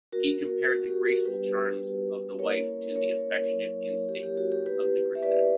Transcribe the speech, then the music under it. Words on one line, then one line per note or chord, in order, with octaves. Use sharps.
He compared the graceful charms of the wife to the affectionate instincts of the grisette.
B3 F#4 A#4
F#4
G4
F#4 A#4
G3 B3 D4 G4 B4
A#3 C#4 E4 A#4 C#5
A#4 C#5
F#3 A#3 E4
G4
G4
F#4
G4
B3 E4 G4 B4
E5
B4 D5